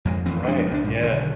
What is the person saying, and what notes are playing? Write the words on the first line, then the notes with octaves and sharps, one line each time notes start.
Right. Yeah.
F2 G#3
A1 F2 E3 C4
D#1 F2 G#3 D4
C#2 A3 D4
B1 G#2
B1 D3 D#3